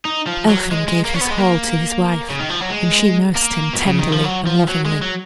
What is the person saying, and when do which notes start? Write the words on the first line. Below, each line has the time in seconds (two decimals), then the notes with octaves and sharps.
Elphin gave his haul to his wife, and she nursed him tenderly and lovingly.
0.05 D#4
0.27 F3
0.49 F#3
0.71 G#3
0.88 G#3
1.05 A#3
1.14 C#4
1.21 B3
1.30 G#3
1.38 A#3
2.30 C#3
2.40 D#3
2.50 F3
2.61 F#3
2.70 G#3
3.36 A#3
3.74 B2
3.86 C#3
3.99 D#3
4.12 F3
4.24 F#3
4.47 F3
4.68 F#3
4.85 G#3
5.02 F#3